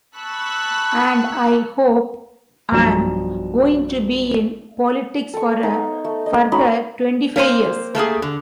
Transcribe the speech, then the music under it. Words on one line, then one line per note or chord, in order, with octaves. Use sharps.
And I hope I'm going to be in politics for a further twenty-five years.
A5 B5 C#6 E6 F#6
B1 G2 F3 A#5 E7
A4 C#6
B3 D#4
A3
D#5
F#3 C#4 D#4 B5
A#3 C4 D4 C5
A3 A#3 G4 G#4
D3